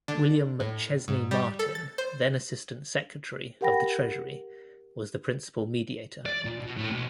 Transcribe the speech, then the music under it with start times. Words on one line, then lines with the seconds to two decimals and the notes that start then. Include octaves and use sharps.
William McChesney Martin, then Assistant Secretary of the Treasury, was the principal mediator.
0.08 D3
0.60 A2
1.08 G#2
1.31 G3
1.59 A4
1.75 A6
1.98 C5
3.61 G4 A#4 F#5 G5 B5 A#6
6.26 D5
6.45 A#2
6.60 B2
6.78 A2
6.91 B1